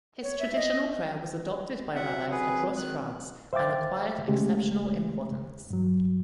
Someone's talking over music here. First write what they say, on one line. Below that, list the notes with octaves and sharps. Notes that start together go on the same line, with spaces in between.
His traditional prayer was adopted by rabbis across France and "acquired exceptional importance".
C#5
E5
D#5
C3 F#3 F#4 E5 F#5
G#4 B4
D#3 F#6
C5 E5 F5 G5 D6 A6
C#3 G#3 A3 G4
G2 F#3